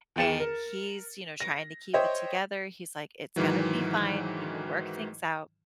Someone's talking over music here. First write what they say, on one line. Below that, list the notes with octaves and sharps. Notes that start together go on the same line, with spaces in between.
and he's, you know, trying to keep it together. He's like, "It's gonna be fine. We will work things out."
E2 G#4 G5 A6 C#7 E7
A#4
A#6
C5 C#5 D#5 E5 G5
G#2 D#3 E3 F#3